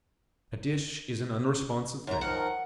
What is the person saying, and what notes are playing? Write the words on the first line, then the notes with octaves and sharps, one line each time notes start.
A dish is an unresponsive thing.
F#2 A#5
D#3 F3 A#4 F#5